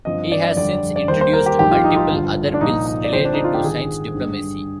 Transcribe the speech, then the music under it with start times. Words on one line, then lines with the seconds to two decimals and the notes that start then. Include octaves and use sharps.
He has since introduced multiple other bills related to science diplomacy.
0.05 G2 F3 C4 D#5
0.32 D5
0.56 F2 D3 G3 D5
0.96 D5
1.08 D#2 D#3 G3 A#3 C5
1.21 C5
1.33 A#4
1.46 G4
1.59 A#1 G#2 D#3 G3 G4
1.71 F4
1.84 D#4
1.96 F4
2.10 G1 G2 F3
2.54 D4
2.61 C2 A#2 F3 D#4
2.87 D#4
3.04 D5
3.12 G1 G2 F3 C4 C5
3.25 D4
3.34 D#4
3.44 F4
3.54 G4
3.63 G#1 G#2 D#3 G#4
4.15 G2 D3 G3